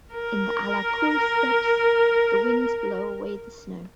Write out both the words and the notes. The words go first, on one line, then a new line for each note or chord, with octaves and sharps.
In the Ala-kul steppes the winds blow away the snow.
A#4